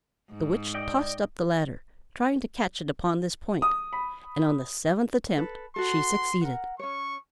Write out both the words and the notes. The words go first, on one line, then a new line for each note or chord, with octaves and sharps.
The Witch tossed up the ladder, trying to catch it upon this point, and on the seventh attempt she succeeded.
G#2
D5 D#5 G5
D#6
B5
A4 B4
F#4 A4 C6
A#4 F#5
C#4 C#5 C#6